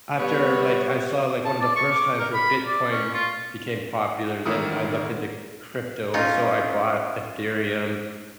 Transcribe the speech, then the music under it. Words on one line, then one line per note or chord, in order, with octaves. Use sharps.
after, like, I saw, like, one of the first times where Bitcoin became popular, then I looked into crypto, and so I bought Ethereum,
G3 B3 C#5
A5
D5
C#6
D6
A#4
B5
D5
C#4
F4
A1 D#3 E4 A#4 D#6
C#4 D#4 F4